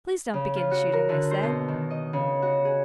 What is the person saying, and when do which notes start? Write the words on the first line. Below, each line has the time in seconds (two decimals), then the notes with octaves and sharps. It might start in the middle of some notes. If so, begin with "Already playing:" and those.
'Please don't begin shooting,' I said.
0.34 C#3
0.56 F4
0.71 F#4
0.93 A#4
1.09 D3
1.31 C5
1.43 B2
1.68 D#3
1.91 D#5
2.13 C#3
2.42 F#4
2.65 G#4